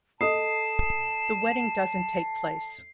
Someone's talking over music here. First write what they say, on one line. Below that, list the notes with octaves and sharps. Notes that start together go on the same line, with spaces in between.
The wedding doesn't take place.
A4 D#5 A5 D#6 C7 E7